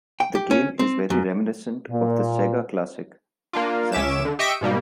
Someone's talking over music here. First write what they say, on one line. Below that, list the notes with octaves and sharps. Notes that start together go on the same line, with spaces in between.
The game is very reminiscent of the Sega classic Zaxxon.
G5
G4
C#4
C4
F#2
A#2
A#3 D4 F4
C#2 C#4 E5 D6 E7
D3
G4 D#5 E5 C#6 B6 D7
G#2 B2 G3 A#3